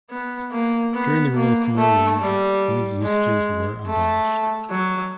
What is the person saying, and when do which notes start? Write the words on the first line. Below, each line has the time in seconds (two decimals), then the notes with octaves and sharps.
During the rule of the Khmer Rouge, these usages were abolished.
0.10 B3
0.52 A#3
0.94 B3
1.35 A#3
1.78 A3
2.19 G3
3.03 G#3
3.86 A3
4.70 F#3